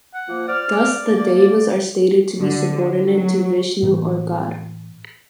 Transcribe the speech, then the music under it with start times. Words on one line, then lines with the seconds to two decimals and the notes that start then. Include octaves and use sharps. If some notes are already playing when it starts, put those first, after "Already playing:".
Thus the Devas are stated to be subordinate to Vishnu, or God.
0.14 F#5
0.28 F3 A#3
0.48 C5 D5 F6
0.73 D5
1.10 D3 A#3
2.40 D3
3.06 F#3
3.83 A2 E3 A#3